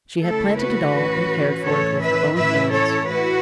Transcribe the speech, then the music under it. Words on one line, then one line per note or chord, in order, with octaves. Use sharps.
She had planted it all and cared for it with her own hands.
C#3 A3 E4 A4
F#4 B4
A2 E3 C#4
A2 E3 A3 C#4 A4 C#5
B4 E5
A2 E3 C#4 E4 B4 E5
A4 C#5
A2 A3 E4 F#4 B4